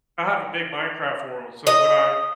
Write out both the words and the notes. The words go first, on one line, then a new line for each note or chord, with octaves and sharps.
I have a big Minecraft world, so when I
D#5